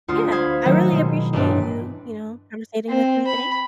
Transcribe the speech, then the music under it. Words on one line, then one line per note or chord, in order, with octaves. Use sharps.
yeah, I really appreciate you, you know, conversating with me today.
D2 F4 D#6
C5 F5 B5 D#6 G#6
D#3 F#3 A3 D#4 E4
B2 G#3
A1 G2 D4 B4
C4
B5